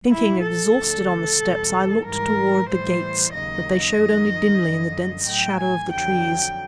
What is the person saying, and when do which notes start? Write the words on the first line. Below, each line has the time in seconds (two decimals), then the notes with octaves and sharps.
Sinking exhausted on the steps, I looked toward the gates--but they showed only dimly in the dense shadows of the trees.
0.11 A#2 F3 E4
0.43 A4
0.75 D2 D3 F3
1.40 E2 B2 G3
2.05 G#2 E3 G3 A#4
2.70 A2 E3 G3 C5
3.34 D#2 C#3 F#3 D#5
3.99 F#2 D#3 F#3
4.64 F#2 D3 F3
5.28 A2 F#3 G5
5.61 G#5
5.92 F2 D3 F#3 G5